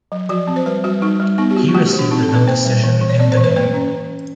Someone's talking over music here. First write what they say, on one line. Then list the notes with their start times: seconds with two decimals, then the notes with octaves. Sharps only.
He received a no-decision in the game.
0.12 F#3
0.29 F3 F#4
0.48 C4
0.56 C5
0.66 G3 B4
0.84 G3 F#4
1.02 G3 D#4
1.20 G3
1.38 B3 D#4
1.51 G4
1.56 B3 F#4
1.68 F4
1.75 A3 F#4
1.86 G4
1.93 E3
1.99 D4
2.11 C4 D#4
2.23 A4
2.29 C4
2.35 B4
2.47 A#3 C5
2.65 G3
2.84 E3
3.01 E3
3.09 C#5
3.19 C4 D5
3.32 C5
3.37 E3
3.44 B4
3.56 A#3 B4
3.74 C#4